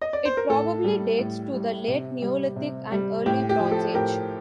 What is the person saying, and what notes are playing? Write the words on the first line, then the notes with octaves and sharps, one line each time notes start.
It probably dates to the late Neolithic and early Bronze Age.
D#5
D5
C5
A#4
A2 A4
G3
A2
G3
C3
G3
C3
G3
A2 G4
G4
F3
A4
A2 G4 A#4